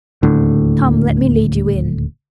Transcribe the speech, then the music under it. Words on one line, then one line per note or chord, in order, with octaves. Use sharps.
Come, let me lead you in.
D#1 D2 A2 D3